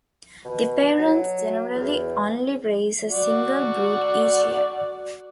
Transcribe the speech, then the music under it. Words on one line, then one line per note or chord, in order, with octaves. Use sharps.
The parents generally only raise a single brood each year.
B2
F#3
E2
F#4 D5